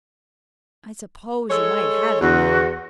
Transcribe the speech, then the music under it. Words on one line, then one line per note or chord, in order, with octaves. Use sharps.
I suppose you might have him, though.
G#3 A4 C#5
E2 F#4